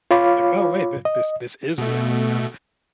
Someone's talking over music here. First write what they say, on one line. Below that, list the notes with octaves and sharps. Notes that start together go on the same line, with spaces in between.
Like, "Oh wait th this this is reality, huh?"
F4 C#5 F5 B5 D6
D#5
B2 A3